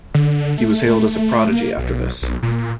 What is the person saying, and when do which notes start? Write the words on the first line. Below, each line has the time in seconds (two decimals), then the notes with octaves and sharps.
He was hailed as a prodigy after this.
0.14 D3
0.58 A3
1.52 A#3
1.77 B1
2.22 B1
2.43 A#2